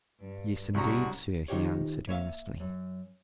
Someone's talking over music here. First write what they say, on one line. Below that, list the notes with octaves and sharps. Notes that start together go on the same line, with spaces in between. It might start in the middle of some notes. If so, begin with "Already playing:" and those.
"Yes, indeed, sir," he answered, earnestly.
G2
C2 C#4 F#4 A#5
D#3 D#4 F4 G4 C5 C#5
A#3 C#5 E5 F5
F#2